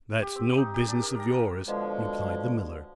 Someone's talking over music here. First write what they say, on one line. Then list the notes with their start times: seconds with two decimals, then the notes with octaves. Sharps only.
"That's no business of yours," replied the miller.
0.22 G4
0.36 C4
0.57 D#4
0.74 G4
0.89 D4
1.02 A#4
1.20 A#5
1.68 B2 D3 F3 G#3